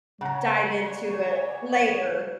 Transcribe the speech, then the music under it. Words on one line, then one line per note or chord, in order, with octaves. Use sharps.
m dive into it later,
C#3 C#5 F#5 A#5
D5